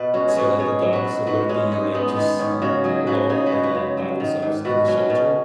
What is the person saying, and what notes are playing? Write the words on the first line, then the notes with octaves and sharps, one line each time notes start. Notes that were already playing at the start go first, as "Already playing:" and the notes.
so that the dogs wouldn't be, like, just, you know, alone and by themselves in the shelter,
Already playing: B2 B4
G#3 C#4 F#4
G#4
B2 F#4 B4
B2 G#4 C#5
F#3
F#4 B4
B2
G#2 F#4 B4
G#3 C#4
G#2 D#4 G#4
G#3 B3 D#4
D#3 B3
G#2 C#4
C#3 C#4 F#4
F#3 D#4 G#4
C#3 F#4 B4
C#3 D#4 G#4
F#4 B4
G#3
F#4 B4
C#3
F#3
D#3
G#2
B2 F#4 B4
F#3 C#4 F#4
B2 C#4